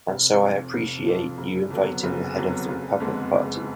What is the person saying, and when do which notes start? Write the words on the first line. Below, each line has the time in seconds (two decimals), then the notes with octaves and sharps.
And so I appreciate you inviting the head of the Republic Party.
0.08 F1
0.41 F2 F3
0.73 F1
1.06 F2 F3
1.38 F#1
1.70 F2 D3 F#3 B3
2.03 F#1
2.36 F2 D3 F#3 B3
2.68 F#1
3.00 F2 D3 G#3 B3
3.33 F#1